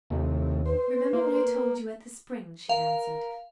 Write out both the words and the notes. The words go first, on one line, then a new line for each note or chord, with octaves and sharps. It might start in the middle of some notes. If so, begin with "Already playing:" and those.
"Remember what I told you at the spring," she answered.
D#2 A2 C3
B4 C5
A#3
A#4 F5